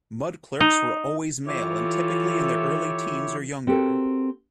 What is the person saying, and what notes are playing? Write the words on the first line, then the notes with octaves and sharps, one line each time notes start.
Mud clerks were always male, and typically in their early teens or younger.
D#4
E3 E4 F4 G4 A4 C#5
C4 F#4 G4 A4 A#4